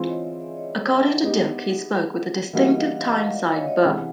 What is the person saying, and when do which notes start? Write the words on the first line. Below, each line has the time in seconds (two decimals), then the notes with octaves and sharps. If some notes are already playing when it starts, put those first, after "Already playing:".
According to Dilke he spoke with a distinctive Tyneside burr.
Already playing: E3 G#3 C4 F4
0.08 C#5 D#5
0.24 D5 E5
0.41 D5 E5
0.57 C#5 D#5
0.73 B4 C#5
0.90 E5 F#5
1.06 E5 F#5
1.22 G#3 B3 D#4 G4
2.53 E3 G3 A#3 D#4 F#4 E5 F#5
2.75 D#5 F5
2.97 D#5 F5
3.35 D5 E5
3.51 C#5 D#5
3.67 C#5 D#5
3.84 C3 E3 G#3 E5 F#5